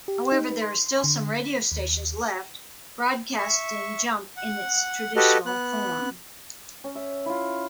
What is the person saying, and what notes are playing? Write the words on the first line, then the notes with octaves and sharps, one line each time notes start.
However, there are still some radio stations left, broadcasting Jump in its traditional form.
G4
D#4
B4
C6
D3
B6
D#2
E5 C#6
F#5
F#4 G4 A4 B4 D#5
B3 F#6
C#4
E5
E4 F4